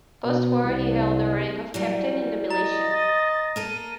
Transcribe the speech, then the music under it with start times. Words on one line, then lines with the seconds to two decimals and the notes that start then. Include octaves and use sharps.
Post-war he held the rank of captain in the Militia.
0.25 B2
0.64 C2
1.74 E3 F#3 G3
2.50 D#5 A#5 A6
3.56 A#3 A4 A#4 D#7